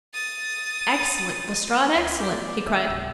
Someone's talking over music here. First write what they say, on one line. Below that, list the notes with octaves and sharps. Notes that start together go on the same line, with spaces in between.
"Excellent, Lestrade, excellent!" he cried.
D#6 A6
D2
G4 B4 B5 C6
A3 B3 D5
D3 E5 E6
C#2 G#2 C3